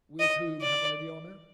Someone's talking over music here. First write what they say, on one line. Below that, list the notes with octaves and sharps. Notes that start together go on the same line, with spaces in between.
"With whom have I the honour?"
D#5
D5